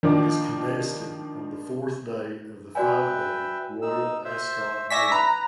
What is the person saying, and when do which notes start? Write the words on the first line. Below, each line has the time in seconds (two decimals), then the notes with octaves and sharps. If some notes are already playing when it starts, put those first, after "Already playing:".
It is contested on the fourth day of the five-day Royal Ascot meeting.
0.03 D#3 F3 D4 D6
2.75 F#4 B4 D5 E5 G5 G#5
3.82 D#4 E6
4.25 C5 E5
4.90 D5 E5 G#5 C#6 A#6 B6
5.12 B4 A#5 B5